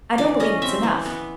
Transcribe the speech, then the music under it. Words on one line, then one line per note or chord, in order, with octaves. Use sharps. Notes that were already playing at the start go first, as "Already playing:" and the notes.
I don't believe it's enough.
E3 D5
C#4 D#5
C4 E5
E3
B3